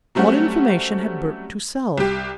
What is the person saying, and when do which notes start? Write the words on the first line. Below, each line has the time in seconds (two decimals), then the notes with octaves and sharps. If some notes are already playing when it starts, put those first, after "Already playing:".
What information had Burke to sell?
0.15 F#3 G3 A3 C4 C#4 F#4
1.98 C2 G4